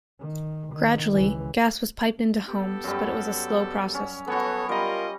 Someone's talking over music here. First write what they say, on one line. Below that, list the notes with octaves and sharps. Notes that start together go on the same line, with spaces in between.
Gradually gas was piped into homes, but it was a slow process.
D#3
D#3
C#2 E3
B3 G4 A4
F#2 G3
C#4
B3 F#4 A4 B4 C#5
G3 F4 A#4 D#5 A#5